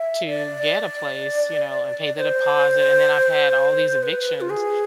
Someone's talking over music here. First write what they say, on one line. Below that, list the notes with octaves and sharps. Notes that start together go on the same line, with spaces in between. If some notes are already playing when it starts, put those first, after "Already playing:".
to get a place, you know, and pay the deposit, and then I've had all these evictions.
Already playing: E5
D5
D5
C5
B4
F4
G#4